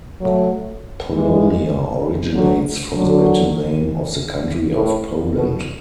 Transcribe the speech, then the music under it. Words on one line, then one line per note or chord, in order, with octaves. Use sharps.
Polonia originates from the Latin name of the country of Poland.
F#3 A3
E3 G#3
D3 F#3
D3 F#3
A2
B2